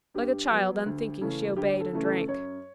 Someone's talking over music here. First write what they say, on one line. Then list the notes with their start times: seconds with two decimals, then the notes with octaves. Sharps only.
Like a child, unthinking, she obeyed and drank.
0.14 G2 G4
0.51 F#3 B3
0.86 D2
1.21 C#3 E3 A3 C#4
1.56 D2 G4
1.80 A4
1.93 C#3 E3 A3 C#4
2.05 A4
2.28 F#2 C#5